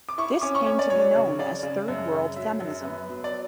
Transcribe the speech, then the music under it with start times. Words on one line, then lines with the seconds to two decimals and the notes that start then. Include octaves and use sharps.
This came to be known as Third World feminism.
0.09 D6
0.18 E4 C#6
0.41 C#4 D6
0.55 C#6
0.66 C#4
0.79 D5
0.90 F#3 C#5
1.15 C#3
1.39 C#3 D5
1.63 C#3
1.88 F#2
2.12 C#3
2.36 F#3 E5
2.61 F#2
2.85 B3
3.09 F#3
3.24 D5